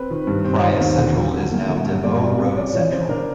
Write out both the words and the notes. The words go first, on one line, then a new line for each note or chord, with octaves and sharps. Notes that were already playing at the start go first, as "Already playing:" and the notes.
Praya central is now Des Voeux Road Central.
Already playing: C4 B4
D#3
G2
C4 C5
C#5
D#3
C5
D#2
D3
F#3
D3
A#3
D3
G2
A#3 D5
B2
C2
C#4 D5
E3 C#5
C#3 C5
D4 A#4